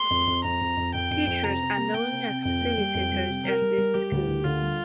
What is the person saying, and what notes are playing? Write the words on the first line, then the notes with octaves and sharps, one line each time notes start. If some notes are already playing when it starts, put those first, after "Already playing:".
Teachers are known as "facilitators" at this school.
Already playing: C6
F2
F2
F2 A#5
F2
F2
F2 G5
F2
F2
C3 A#5
C3
A#3
A#3 G5
C3
C3
F2 G5
A#3
G3
F2
G3
C3
G3 A#4
G3
G3
G3 G4
D2
D2
D3 F4
G3